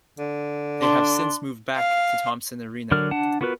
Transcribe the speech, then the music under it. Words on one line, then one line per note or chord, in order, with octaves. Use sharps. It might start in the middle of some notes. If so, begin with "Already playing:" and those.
They have since moved back to Thompson Arena.
D3
D4 C6
F5
D3 F#3 A#4 D5 F6
D4 F#5 A5
B3 F4 F#4 A#4 B4